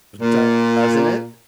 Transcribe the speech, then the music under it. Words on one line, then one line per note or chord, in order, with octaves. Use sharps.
Doesn't it?
A#2